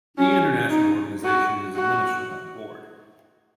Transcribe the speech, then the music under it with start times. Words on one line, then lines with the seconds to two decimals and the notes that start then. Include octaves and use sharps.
The international organization is administered by a board.
0.18 C#4
0.70 D#4
1.24 F#4
1.76 F#4